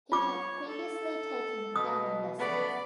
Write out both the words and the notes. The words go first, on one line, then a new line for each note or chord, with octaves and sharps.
He had previously taken piano lessons.
F4 C#5 D6
A4
B2 D#6
C#3 A3 B3 D5 B5